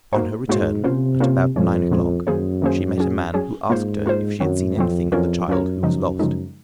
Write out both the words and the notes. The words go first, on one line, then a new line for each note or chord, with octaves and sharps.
On her return, at about nine o'clock, she met a man who asked her if she had seen anything of the child who was lost.
A#3 D#4 F#4 C5
G#2 A#3 D#4 F#4 C5
C3 A#3 C#4 F4 C5
A#3 C#4 F4 C5
F2 A#2 F3 G#3 C#4
A#2 F3 G#3 C#4
F#2 D#3 A#3 C#4 G#4 C5
D#3 A#3 C#4 G#4 C5
F#3 C#4 G#4
F#3 C#4 G#4
G#2 A#3 F4 C5
A#3 F4 C5
F#2 D#3 F#3 C4
F2 D#3 F#3 C4
F2 F#3 C#4 F4 A#4 C#5
F#2 F#3 C#4 F4 A#4 C#5
C#3 F3 G#3 D#4
C#3 F3 G#3 D#4